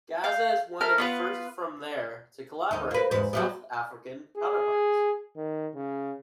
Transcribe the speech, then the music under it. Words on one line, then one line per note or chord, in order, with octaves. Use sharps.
Gazza is one of the first from there to collaborate with South African counterparts.
F5 G6
E4 A4 A#4 F6
B3 F4 B4
D#2 D#4
A#3 B4
E2 G#2 B4
F#3 G3 B3
G#4
D#3
C#3